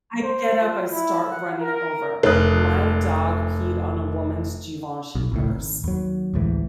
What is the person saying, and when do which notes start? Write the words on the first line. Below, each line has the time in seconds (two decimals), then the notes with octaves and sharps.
I get up, I start running over. My dog peed on a woman's Givenchy purse.
0.24 C5
0.60 F4
0.90 E4
1.30 F#5
1.61 A#4
2.23 F1 A#4 D#6 F#6
5.15 B1
5.32 G#1 C#2 A2
5.48 G#1
5.84 D#2 F#3
6.34 A1 D2 G#2 E3